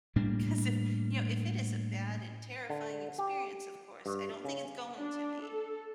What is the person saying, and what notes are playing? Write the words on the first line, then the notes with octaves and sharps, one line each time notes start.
'cause if, you know, if it is a bad and terrifying experience, of course, I don't think it's going to be,
A2 G3 A#3 D4
D3
G4
G2
C#3
D4
A4